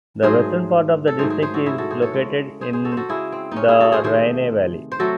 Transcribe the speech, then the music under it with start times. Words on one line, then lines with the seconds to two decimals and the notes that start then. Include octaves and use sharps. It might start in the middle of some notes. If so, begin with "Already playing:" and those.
The western part of the district is located in the Rhine valley.
0.23 G#2 F#3 A3 G#4 C5
1.07 A4
1.18 G#2 D#3 F#3 A3 G#4 C5
1.30 G#4 C5
1.42 G#4 C5
1.54 F#4 A4
1.66 E4 G#4
1.78 F#4 A4
1.90 G#4 C5
2.02 A4 C#5
2.13 C#3 G#3
2.61 G#4 C5
2.73 G#4 C5
2.85 F#4 A4
2.92 C5
2.97 F#4 A4
3.09 C#3 G#3 E4 G#4
3.32 C4
3.52 C#4 D#4
3.68 E4 G#4
3.80 F#4 A4
3.92 G#4 C5
4.04 C3 D#3 A3 G#4 C5
4.92 C5
4.99 C3 F#3 A3 F#4 A4